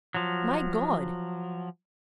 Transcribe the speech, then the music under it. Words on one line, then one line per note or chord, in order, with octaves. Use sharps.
My God!
F3 F#3